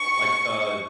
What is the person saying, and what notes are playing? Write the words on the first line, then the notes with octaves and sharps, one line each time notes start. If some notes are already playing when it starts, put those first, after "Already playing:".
like, a
Already playing: C#6